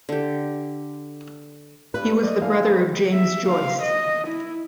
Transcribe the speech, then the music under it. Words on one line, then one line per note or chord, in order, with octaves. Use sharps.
He was the brother of James Joyce.
D3 G4
G2 B4
D5 D#5
D4 E4 G#4 F5
C4 G#4 B4
E5
F5
D#5
E4